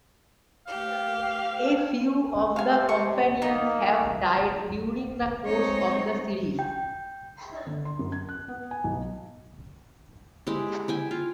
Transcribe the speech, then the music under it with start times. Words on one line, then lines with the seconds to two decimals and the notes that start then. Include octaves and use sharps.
A few of the companions have died during the course of the series.
0.67 A3 G4 F5
2.56 C3 F5 G#5
2.89 C#6
3.42 A#3 D#4 D#5
5.45 G#3 C4 D#4 C#5
6.59 G5
7.67 D3
7.85 C6
7.99 F#2
8.12 G#6
8.29 F#6
8.48 B3
8.71 G#5
8.84 B1
10.47 G#3 E4 G4
10.88 E4 G5 G#5
11.11 F4